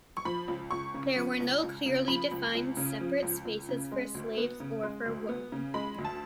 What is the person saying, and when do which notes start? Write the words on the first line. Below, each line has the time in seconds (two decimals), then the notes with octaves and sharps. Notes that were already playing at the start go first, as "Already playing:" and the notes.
There were no clearly defined separate spaces for slaves or for women.
0.17 C#6
0.25 F3 B5
0.48 C#2
0.71 C#2 C#6
0.94 C#3
1.16 F3
1.40 C#2
1.63 C#2
1.86 C#3
2.08 F3 B5
2.31 C#2
2.55 C#2
2.77 C#3
3.01 F3
3.22 C#2
3.45 C#2
3.69 C#3
3.92 G#3
4.14 D2
4.37 B3
4.60 C#3
4.83 G#3
5.06 D2
5.29 B3
5.52 C#3
5.74 G#3 B5
5.98 D2
6.05 A5